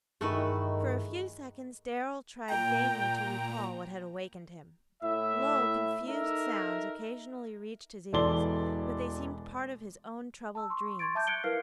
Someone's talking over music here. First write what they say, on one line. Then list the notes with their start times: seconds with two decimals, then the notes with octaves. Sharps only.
For a few seconds Darrell tried vainly to recall what had awakened him. Low, confused sounds occasionally reached his ears, but they seemed part of his own troubled dreams.
0.21 G2 D#3 A3 E4 F#4 G#4 B4
2.48 A#2 G5 A#5
5.03 A2 E4 E5
6.08 D#4 A4 A#4 E5
8.13 E1 E3 A4 D5 C6 G7
10.55 A5 E6
10.70 C6 C#6
10.99 C6 C#6 G#6 A6 D7
11.15 E5 A5 D6 G6
11.27 F#6 G#6 C#7 D7 G7
11.44 E4 A#4 B4 F5 F6 C7